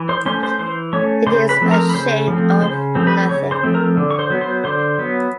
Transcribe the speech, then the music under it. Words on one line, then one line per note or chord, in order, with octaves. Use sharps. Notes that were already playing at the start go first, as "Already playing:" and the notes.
It is ashamed of nothing.
Already playing: E3
C5 C6
A3 C#4 C5 C6
C5 C6
E3 C5 C6
A3 C#4 C#5 C#6
C#3 C5 C6
B4 B5
F3 A3 C4
A#4 A#5
B5
C#3 C5 C6
F3 A3 C4
C#3 C5 C6
F3 A3 C4
B4 B5
C#3 C#5 C#6
C5 C6
F3 A3 C4
A#4 A#5
D3
C#6
C5 C6
F#3 B3
C5 C6
D3 C5 C6
F#3 B3